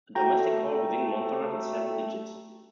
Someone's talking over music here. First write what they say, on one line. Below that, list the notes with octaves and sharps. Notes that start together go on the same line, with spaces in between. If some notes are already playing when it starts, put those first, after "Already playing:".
A domestic call within Montserrat is seven digits.
A3 F#4 G5 A#5